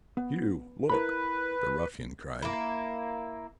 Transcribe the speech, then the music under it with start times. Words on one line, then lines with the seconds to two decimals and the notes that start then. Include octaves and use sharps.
"You, look!" the ruffian cried.
0.17 B3
0.89 E4 A#4 B4 B5
2.42 A#3 E4